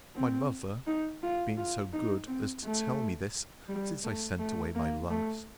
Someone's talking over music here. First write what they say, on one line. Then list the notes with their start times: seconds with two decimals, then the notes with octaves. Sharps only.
My mother been so good as to tell me this since I sent away my last.
0.16 C4
0.87 D#4
1.23 F4
1.57 F4
1.93 D#4
2.27 C4
2.63 A3
3.68 G3
4.04 A3
4.39 A3
4.75 A#3
5.10 A3